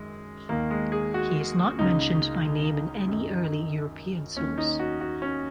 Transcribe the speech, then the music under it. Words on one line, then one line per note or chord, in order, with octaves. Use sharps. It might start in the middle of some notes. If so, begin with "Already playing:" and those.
He is not mentioned by name in any early European source.
Already playing: F#2 D#3 G#3
D#2 D#3 A#3
G#3
G#4
F#4
C#2 C#3 D#4
F#2 D#3
D#2 D#3 C#4
D#4
F#4
F#4
C#4